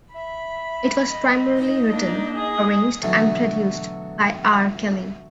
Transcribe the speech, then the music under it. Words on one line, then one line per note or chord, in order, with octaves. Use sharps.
It was primarily written, arranged, and produced by R. Kelly.
E5 B5
D#5
D#4
A#3 D4
G#4 D#6
B2 D3 E3 F#3 A3